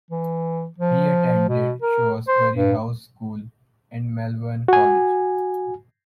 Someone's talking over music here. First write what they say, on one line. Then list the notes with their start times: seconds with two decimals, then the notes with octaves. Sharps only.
He attended Shrewsbury House School and Malvern College.
0.11 E3
0.78 F3
1.48 B2
1.82 A#4
2.28 C5
2.55 G2
4.68 F#4 G#5